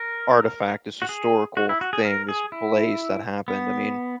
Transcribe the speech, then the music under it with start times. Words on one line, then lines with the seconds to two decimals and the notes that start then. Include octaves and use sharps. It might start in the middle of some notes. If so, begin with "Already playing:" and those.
artifact, this historical thing, this place that happened," I mean
Already playing: A#4
1.02 F#4
1.09 G#4
1.57 F#4
1.69 E4
1.81 F#4
1.93 G#4
2.05 A#4
2.29 G#4
2.52 E4
3.48 B3